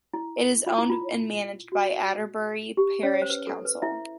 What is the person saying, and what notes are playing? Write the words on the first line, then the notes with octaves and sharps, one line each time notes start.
It is owned and managed by Adderbury Parish Council.
E4
F4
E4
F4
F#4
G4
C#4 C#5
C#5
C5
B4
A4
B4
E4 E5